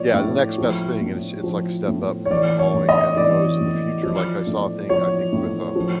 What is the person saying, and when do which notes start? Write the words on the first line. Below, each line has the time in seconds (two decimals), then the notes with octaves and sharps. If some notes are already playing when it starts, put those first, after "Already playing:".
Yeah, the next best thing is it's, like, step up from calling, and who knows in the future. Like, I saw a thing, I think, with, um,
Already playing: A2 F3 C#5 D5
0.14 A2
0.58 F3
1.01 A2
1.44 F3
1.88 A2
2.25 C#5
2.30 E3 D5
2.59 C#5
2.74 A2
2.89 D#5
3.17 E3 D5
3.60 A2
4.03 F3
4.47 A2
4.89 F3 C#5
5.32 A2
5.75 F3